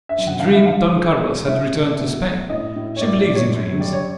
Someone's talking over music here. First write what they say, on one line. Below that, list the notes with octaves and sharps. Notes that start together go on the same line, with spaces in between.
She dreamed Don Carlos had returned to Spain; she believes in dreams.
E5
F#2
F#5
D#2 F5
E5
D#2 F5
G#3
G#3
C2 E5
A3
B2
A3
A2 D#5
A2
C#5
A2 D5
D5
F#3
C#5
F#2
G3 D5
C#5